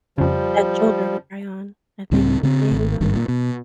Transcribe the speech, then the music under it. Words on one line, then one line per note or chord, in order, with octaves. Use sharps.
"That shoulder to cry on," I think, the saying goes.
F2 C#3 F3 G3
C#2 A2 G3 C4
C#3 C4
G#1
G#1 G2 D#3
A#2
B2